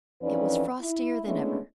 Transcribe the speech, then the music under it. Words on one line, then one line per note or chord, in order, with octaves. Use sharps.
It was frostier than ever.
F2 E3 C#4 D#4 B4 D5
E4
G#3 A3 B3 C#4 D4 E4